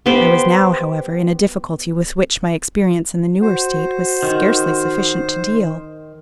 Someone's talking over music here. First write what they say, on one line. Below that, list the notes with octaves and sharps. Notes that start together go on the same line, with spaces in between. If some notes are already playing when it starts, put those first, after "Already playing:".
I was now, however, in a difficulty with which my experience in the newer state was scarcely sufficient to deal.
B3 G4 C5
F#4 C5
D#3